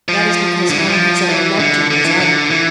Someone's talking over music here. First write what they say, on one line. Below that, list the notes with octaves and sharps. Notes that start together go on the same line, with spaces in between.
"That is because no one has ever loved you as I love you."
F3
D3
E3
F3
E3
D3
D3
E3
D3
E3